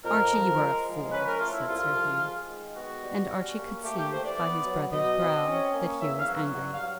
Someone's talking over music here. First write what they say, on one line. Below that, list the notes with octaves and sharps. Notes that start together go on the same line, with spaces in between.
"Archie, you are a fool," said Sir Hugh; and Archie could see, by his brother's brow, that Hugh was angry.
F2 A#4
F3
G#3
F3
C#4 B4
A#4
A3 F4
E4
C2 F4
F3
G#3
D#3
B3 F#4
G3
C#4
A#3
A3 G4
G4
E3 C5
D5
B3
F#3
B2 D#5
C4
C#4
A#3
E2 E5
F5
F#3
G2 F#5
F5
F#3